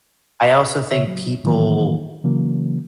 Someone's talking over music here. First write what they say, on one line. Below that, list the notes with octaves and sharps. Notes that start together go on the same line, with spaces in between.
I also think people,
C#3 C#5 E5
F#3
A2 D#3 E3 F#3 A#3
C#3 E3 F#3 A#3